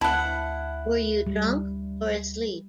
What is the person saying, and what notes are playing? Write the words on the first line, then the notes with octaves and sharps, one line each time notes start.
Were you drunk or asleep?
D2 E4 F#5 A5
G3